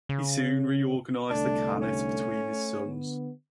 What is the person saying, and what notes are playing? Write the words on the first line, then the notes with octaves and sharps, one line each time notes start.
He soon reorganized the khanate between his sons.
C#3
C2 D3 A3 D4
C#4
D3 B3